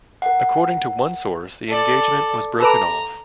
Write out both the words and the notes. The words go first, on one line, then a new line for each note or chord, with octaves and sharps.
According to one source the engagement was broken off.
A#4 F#5
A4 D5
A4 B4 A#5 D6